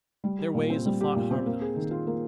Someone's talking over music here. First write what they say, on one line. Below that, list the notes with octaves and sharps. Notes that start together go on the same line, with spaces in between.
Their ways of thought harmonized.
G3
G4
A#2
C4
G3
G4
A#2
C4
A#3
G#4
D#3
F4
A#3